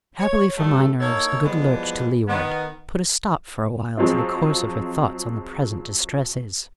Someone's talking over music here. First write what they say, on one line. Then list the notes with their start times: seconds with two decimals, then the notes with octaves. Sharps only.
Happily for my nerves, a good lurch to leeward put a stop for a while to the course of her thoughts on the present distresses.
0.19 C#5
0.57 G2 A3
1.00 A#3 D#4 A4 C#5
1.44 E3 F3 G3 G#3 B3
2.28 D#3 B3
3.97 F3 F#3 G#3 C4 F4